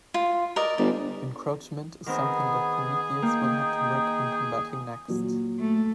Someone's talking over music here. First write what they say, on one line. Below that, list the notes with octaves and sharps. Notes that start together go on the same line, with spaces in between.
Encroachment is something that Prometheus will have to work on combating next.
F4
A#4 D5 D#5
G1 D5
D#3 B3 C4 G#4
A#3 D#4 G5
A#2 F#3
A3